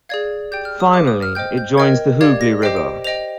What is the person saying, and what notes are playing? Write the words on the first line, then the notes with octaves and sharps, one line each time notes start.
Finally, it joins the Hoogli River.
G#4 D5 F5 G#6
G4 D5 G5 G6
F6
D#6
C5 F5 D6
D#6
F6
C5 D#5 G5 G6
G6
A#4 D#5 G5 G#6
G4 D5 F5 G#6
A#6
G4 C5 D#5 G5 C7
D7
C5 D#5 G5 F7